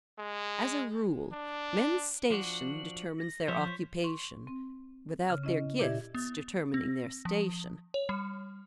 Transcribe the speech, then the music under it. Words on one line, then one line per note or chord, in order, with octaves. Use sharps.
As a rule, men's station determines their occupation without their gifts determining their station.
G#3
D4
F3 D4 F#4 F#7
A#6
F3 C5 C#5 B6
C6 C#6
C4
C#3
C#4 E4 D#5
A#2 E4 G4 D5 E5 G#6
B3
C4
F3
C#5
G3